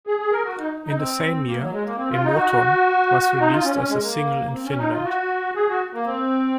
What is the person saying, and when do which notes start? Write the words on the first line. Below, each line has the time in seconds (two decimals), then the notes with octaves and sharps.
In the same year, "Emoton" was released as a single in Finland.
0.07 G#4
0.19 G#4
0.32 A#4
0.44 F#4
0.57 D#4
0.84 D#4
0.96 C4
1.47 A#3
1.59 F#3
1.72 G#3
1.85 A#3
1.97 C4
2.11 F4
2.24 D#4
2.36 F#4
3.40 D#4
3.51 F4
3.64 C#4
3.76 C#4
3.89 G#3
4.02 A#3
4.53 C4
4.65 C#4
4.78 D#4
4.91 F4
5.04 F#4
5.55 G#4
5.68 F#4
5.94 A#3
6.06 C4